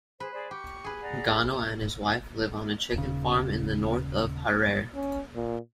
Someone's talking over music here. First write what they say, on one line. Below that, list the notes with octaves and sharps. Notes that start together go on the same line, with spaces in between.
Gono and his wife live on a chicken farm in the north of Harare.
G#4 B4 C5
G#4 C5 D5
G4 C#6
G#4 B4
D5 F#5 A#5
D#1 C#3
C#4
A#2